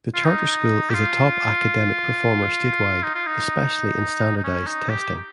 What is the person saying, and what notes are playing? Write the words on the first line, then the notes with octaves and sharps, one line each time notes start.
The Charter School is a top academic performer statewide, especially in standardized testing.
F4
D#4
G4
F4
D#4
F4
D#4
D#4
C#4
D#4
G4